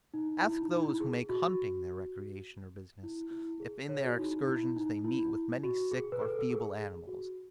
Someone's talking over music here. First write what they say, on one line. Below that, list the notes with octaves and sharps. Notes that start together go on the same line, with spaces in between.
Ask those who make hunting their recreation or business, if in their excursions they meet with many sick or feeble animals.
D#4
E4
D#4
D#4
E4
G#4
F#4
E4
E4
G#4
C#5
G#4
F#4
E4
D#4
E4
D#4
E4
F#4
G#4
B4
A4
A4
G#4
G#4
F#4